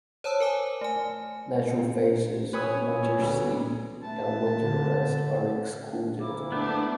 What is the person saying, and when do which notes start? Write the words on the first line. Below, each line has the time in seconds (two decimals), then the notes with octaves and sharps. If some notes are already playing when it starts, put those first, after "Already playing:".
Natural phases of winter sleep and winter rest are excluded.
0.24 C5 C#5 A5 D#6 E6
0.40 A#4 G#5 D6
0.81 A3 G#5
2.53 B4 C#5 G#5 D#6 E6
2.75 C#4
3.03 C#4
3.20 D2 B2
4.03 A3 B4 A5
4.62 D3
6.20 D2 A#3 E4 D6
6.52 A3 B3 D4